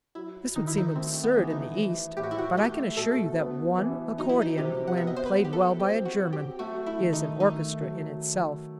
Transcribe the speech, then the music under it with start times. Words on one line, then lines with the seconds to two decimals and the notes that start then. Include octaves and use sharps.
This would seem absurd in the East, but I can assure you that one accordion, when played well by a German, is an orchestra in itself.
0.15 F#3 E4
0.56 D#3 D#4
0.67 E4
0.78 D#4
0.95 A3 C4
1.23 B3
1.36 E3
1.50 D#4
1.77 E3
2.17 A2 G4
2.23 F#4
2.31 E4
2.38 F#4
2.57 A3 G4
2.97 B2 A4
3.38 B3
3.78 E3
4.18 F#3 D#4
4.29 E4
4.42 D#4
4.58 C3 G4
4.87 F#5
4.97 B3 E5
5.07 D#5
5.16 C5
5.26 B4
5.39 F#3
5.44 G4
5.53 A4
5.79 C4 G4
6.05 F#4
6.19 F#3
6.33 G4
6.59 A3 F#4
6.86 E4
7.00 D#3
7.13 D#4
7.40 A3 D#4
7.80 F#3